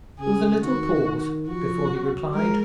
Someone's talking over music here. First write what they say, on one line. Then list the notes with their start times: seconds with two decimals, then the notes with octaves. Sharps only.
There was a little pause before he replied.
0.19 C#3 G#4
0.61 D#3 F#4
1.48 F3 F#4
1.91 F#3
2.34 G#3 A#4